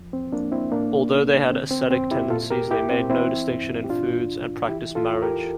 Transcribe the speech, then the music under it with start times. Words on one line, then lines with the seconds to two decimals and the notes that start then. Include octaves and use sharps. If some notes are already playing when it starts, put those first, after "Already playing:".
Although they had ascetic tendencies, they made no distinction in foods and practiced marriage.
Already playing: E2 F3
0.13 C4
0.32 F3 A#3 D4
0.52 C4 E4
0.72 A#2 A#3 D4
1.11 C2
1.51 D3 C4
1.71 C4
1.91 F2 C4
2.11 E4 G4
2.30 A#2 F4 A4
2.50 G4 A#4
2.71 C2 E4 G4
2.91 C4
3.10 E3 C4 E4
3.50 G2
3.84 G4
3.89 A#2 D4 F4
4.29 C2
4.69 E3 E4 G4
4.95 F4 A4
5.09 E2
5.22 G4 A#4